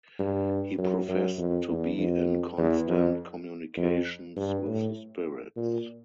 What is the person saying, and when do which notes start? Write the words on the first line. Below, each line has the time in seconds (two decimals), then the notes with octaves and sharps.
He professed to be in constant communications with the spirits.
0.19 G2
0.78 F#2
1.08 F#2
1.38 F2
1.68 E2
1.98 F2
2.58 E2
2.88 F2
3.77 F2
4.36 G2
4.67 A2
5.56 A#2